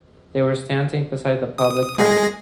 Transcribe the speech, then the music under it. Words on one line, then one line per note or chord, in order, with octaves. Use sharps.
They were standing beside the public path.
D#6
G#3 G#4 A#6